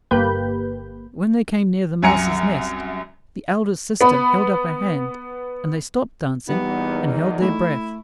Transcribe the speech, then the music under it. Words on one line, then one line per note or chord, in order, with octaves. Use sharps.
But when they came near the mouse's nest the eldest sister held up her hand, and they stopped dancing and held their breath.
G1 A#3 G4 B4 B5 G6
C2 F#2 G#5 A#5 C#7
B3 B5
E2 A#2 G3 B3 D#4
A3 E4